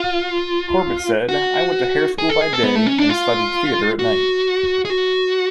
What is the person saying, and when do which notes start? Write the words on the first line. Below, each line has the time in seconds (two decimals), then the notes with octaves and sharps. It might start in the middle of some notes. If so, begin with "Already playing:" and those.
Corbett said, I went to hair school by day and studied theatre at night.
Already playing: F4
1.29 F#4
2.18 G#4
2.29 A4
2.41 G#4
2.53 A4
2.63 B3
2.75 A3
2.87 C#4
2.98 D4
3.09 F4
3.99 F#4
4.85 G#4
4.90 F#4